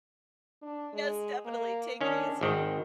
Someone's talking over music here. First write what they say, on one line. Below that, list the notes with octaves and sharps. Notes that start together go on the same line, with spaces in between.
Yes, definitely, take it easy.
D4
G#3
A#3
D#3 C#4 D4
G#1 D#3 C4 C5